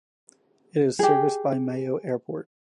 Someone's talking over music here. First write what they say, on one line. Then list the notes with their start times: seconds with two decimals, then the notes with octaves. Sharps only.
It is serviced by Mayo Airport.
0.99 G4 G#4